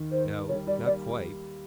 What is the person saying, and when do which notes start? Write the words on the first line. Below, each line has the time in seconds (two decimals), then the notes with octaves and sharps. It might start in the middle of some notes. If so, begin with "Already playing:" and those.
"No; not quite."
Already playing: D#2 D#3
0.11 D#3 C5
0.30 D#3
0.49 G3 C#5
0.67 G3 D5
0.86 A#3 D5